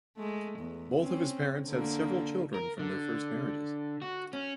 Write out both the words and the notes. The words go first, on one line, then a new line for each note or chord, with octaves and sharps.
Both of his parents had several children from their first marriages.
G#3 A3
E2
C4 C#4
D3 A#3
A#4
D3
F#4
C#4